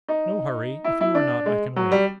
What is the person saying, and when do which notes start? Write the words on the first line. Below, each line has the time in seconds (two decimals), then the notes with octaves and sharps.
No hurry; if you are not, I can wait.
0.08 D#4
0.84 E4
1.01 E4
1.15 D4
1.46 G#3
1.76 F#3
1.92 G3